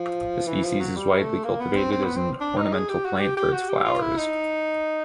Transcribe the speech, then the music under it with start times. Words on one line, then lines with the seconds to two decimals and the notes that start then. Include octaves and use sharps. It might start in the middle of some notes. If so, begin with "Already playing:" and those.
The species is widely cultivated as an ornamental plant for its flowers.
Already playing: F3
0.47 E3
0.64 F3
0.80 F#3
0.96 G3
1.20 A3
1.44 A#3
1.60 B3
1.76 C4
1.92 C4
2.05 B3
2.17 C4
2.41 D4
2.57 D#4
2.73 G#4
2.89 G4
3.05 F#4
3.21 G4
3.37 G4
3.53 F#4
3.69 G4
3.85 F4
4.01 E4
4.18 D#4